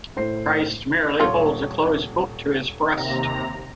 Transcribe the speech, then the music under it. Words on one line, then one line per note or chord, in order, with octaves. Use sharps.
Christ merely holds a closed book to his breast.
A2 C5 C7
D#1 A3 F4 C#5
D#2 C3 A#5